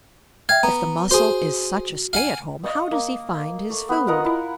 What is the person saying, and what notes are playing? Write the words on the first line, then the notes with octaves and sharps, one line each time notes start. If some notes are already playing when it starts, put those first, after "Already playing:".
If the Mussel is such a stay-at-home, how does he find his food?
E5 F5 G5 G#6
B3 A#5
F#4 G#4 C5
F5 F#5 G#5
D#5 F5 C#6 D#6
A#3
A3
B3 B4
F4 A#4 D#5 F#5
E4